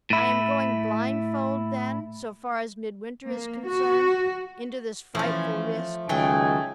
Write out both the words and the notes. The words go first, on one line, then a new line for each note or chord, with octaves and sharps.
I am going blindfold, then--so far as Midwinter is concerned--into this frightful risk?
A2 E4
A#3
F#4
E3 F3 A3 C#4
C#2 D#3 F#3 A3 D#5 G5 G#5